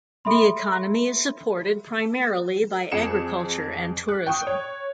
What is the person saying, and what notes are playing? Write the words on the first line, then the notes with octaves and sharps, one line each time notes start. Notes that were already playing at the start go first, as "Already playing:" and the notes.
The economy is supported primarily by agriculture and tourism.
A4 E5 B5 C6
F2 G#4 C#7 E7
F#6
G5 C#6 D#6
C#5